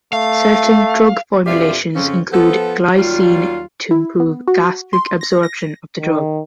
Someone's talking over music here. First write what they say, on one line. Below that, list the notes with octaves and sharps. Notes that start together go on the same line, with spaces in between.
Certain drug formulations include glycine to improve gastric absorption of the drug.
A3 F5
F2 B2 D4 F4 G4 E5
F2 C#3 F3 C4 C#4
F3 B3 A4
D#2 F#3 G3 F4
E4
B3
F#4
C6
A#6
A#6
D#3